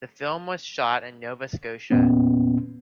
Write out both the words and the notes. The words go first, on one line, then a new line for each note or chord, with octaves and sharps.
The film was shot in Nova Scotia.
E2 A#2 B3 C#4